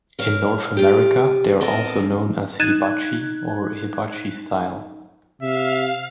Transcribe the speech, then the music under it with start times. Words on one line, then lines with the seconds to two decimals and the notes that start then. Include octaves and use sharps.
In North America, they are also known as "Hibachi" or "Hibachi-style".
0.19 A#4 C#5 F5
0.77 F4 G4
1.61 B3 C4 A4 A#4 D#5
2.00 F#2
2.60 D#4 F#6 G#6 A6 D#7 E7
5.41 C3 E5 F5